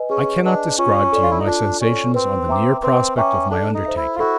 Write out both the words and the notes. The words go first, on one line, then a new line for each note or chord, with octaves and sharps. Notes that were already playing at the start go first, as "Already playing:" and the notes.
I cannot describe to you my sensations on the near prospect of my undertaking.
Already playing: B4 D#5 G#5
C#4 G#4
D4 B4 D#5 G#5
C#4 F4
A4 D5
F4
E4
D#4
D4 F4
C#4 A4 D5
C4 B4
E5 G5 A#5 D6
C4 B4
C#4 E5 G5 A#5 D6
D4 A4
D#4
C5 E5
E4
F4
E4 F#4 A4